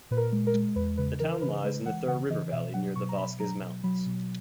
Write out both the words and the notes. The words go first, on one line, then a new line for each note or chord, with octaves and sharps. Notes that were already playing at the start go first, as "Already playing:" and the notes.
The town lies in the Thur River Valley near the Vosges mountains.
A#2 B4
A#4
G#3
A#4
G#3
E2 B4
C#3 B4
E3 A#4
A#4
C#3 B4
G#3 B4
E3 F#5
C#3 F#5
E3 D#5
B2 E5
F#3 F#5
B2 C#6
A#5
B2 B5
F#3 A#5
B2
F#3 B5
B2